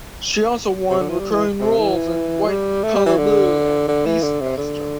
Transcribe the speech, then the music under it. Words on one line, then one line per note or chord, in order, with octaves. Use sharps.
She also won recurring roles in "White Collar Blue" and "BeastMaster".
C3
D3
E3
G3
E3
C3
E3
G3
A3
G3
E3
D3
D3
E3
D3
C3
D3